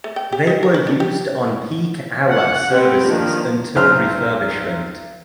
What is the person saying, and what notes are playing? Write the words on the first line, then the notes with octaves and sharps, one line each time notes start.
They were used on peak hour services until refurbishment.
A3
G5
G4
D#4
A#4
B4
D4
G4
F#5
C4 G4 B4
D#3 F3 A#3 D4
B1 C5 F6